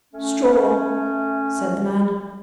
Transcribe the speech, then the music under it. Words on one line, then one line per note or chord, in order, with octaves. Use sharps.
"Straw," said the man.
A3 C#4